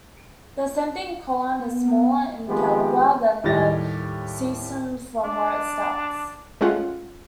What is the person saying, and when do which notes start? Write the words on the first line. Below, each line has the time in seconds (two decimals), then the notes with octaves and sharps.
The ascending colon is smaller in calibre than the cecum from where it starts.
1.60 B3
2.48 D#3 F3 G#3 B3 C4 G4
3.44 D#2 A2 G3 G4 A6 A#6
5.24 D4
6.61 G#3 A3 C#4 F4 F#5